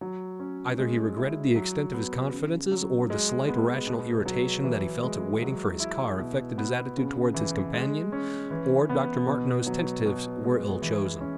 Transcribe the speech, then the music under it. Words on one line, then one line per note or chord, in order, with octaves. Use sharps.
Either he regretted the extent of his confidences or the slight irrational irritation that he felt at waiting for his car affected his attitude towards his companion, or Dr. Martineau's tentatives were ill-chosen.
F#3
C#4
G#3
E4
F#3
B3
C#3
F#3
G#3
B3
B2
F#3
E3
G#3
F#3
E4
B2
B3
C#3
E3
G#3
C#4
E3
B3
B2
F#3
B2
G#3
E3
C#4